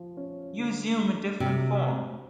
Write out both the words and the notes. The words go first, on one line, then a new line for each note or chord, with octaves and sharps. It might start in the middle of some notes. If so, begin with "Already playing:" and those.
You assume a different form.
Already playing: F3
C#4
D3
A3
C3 F#3
C4